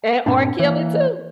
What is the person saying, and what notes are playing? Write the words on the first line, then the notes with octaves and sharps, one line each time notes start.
And R. Kelly too.
G2 A#2 C4 D4
E3 A#3